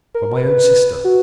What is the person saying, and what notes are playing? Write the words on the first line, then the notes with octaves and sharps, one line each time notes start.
From my own sister?
A#4
B4
F#4